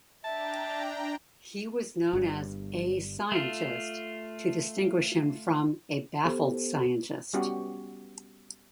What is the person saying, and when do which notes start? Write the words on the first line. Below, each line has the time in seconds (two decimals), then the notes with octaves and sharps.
He was known as "A Scientist" to distinguish him from A Baffled Scientist.
0.24 D4 E5 G5 A5 A#5
2.13 G1 G2 G3
3.32 A3 F4
6.25 B3 G4 A4 C5
7.33 G3 B3 C#4 F#4 G4